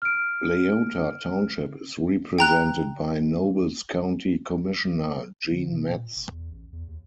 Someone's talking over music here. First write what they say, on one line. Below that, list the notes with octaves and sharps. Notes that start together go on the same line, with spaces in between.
Leota Township is represented by Nobles County Commissioner Gene Metz.
F6 D7
G5 A#5 F#6
D3
B2
A#2
E1
E2
A1
E2
D#2